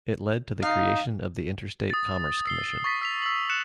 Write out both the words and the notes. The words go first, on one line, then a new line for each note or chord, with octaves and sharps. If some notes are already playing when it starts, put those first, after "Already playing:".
It led to the creation of the Interstate Commerce Commission.
D#4 F5
D#6 A6
E6 C7 G7
C#6 A6 B6
E6 B6 F7
E6 F#7
F#6 C#7 E7